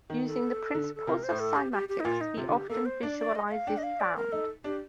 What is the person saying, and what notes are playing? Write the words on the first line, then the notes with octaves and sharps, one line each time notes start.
Using the principles of Cymatics he often visualizes sound.
D#3
A4
D3
A4
C3 A#4
C5
A2
A4
G4
G4
G4
D#4
A#2 F4
D#4
C3 F4
D3
G4
A#3 A4
C5
D4 D5
D5
D#5
D#5
F5
D4 G5
D#5
F5
D5
A#4
D#4 A4
D4 G4